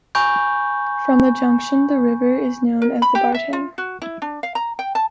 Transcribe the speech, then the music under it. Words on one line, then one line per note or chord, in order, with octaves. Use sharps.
From the junction the river is known as the Bartang.
G#5 B5 C#6 G6
A#4
B5
G4
E5
F4
F#4
E4
D4
F5
A#5
G5
A5